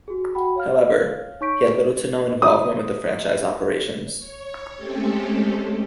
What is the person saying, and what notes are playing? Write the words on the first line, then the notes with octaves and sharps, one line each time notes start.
However, he had little to no involvement with franchise operations.
F#4 G#4
F#4 F#5 G5 B5
C#5 F5 F6
D#4 C#5 C#6 G6 B6 D7
D#6
C#5
G#3 A3 C4 C#4 G4 A4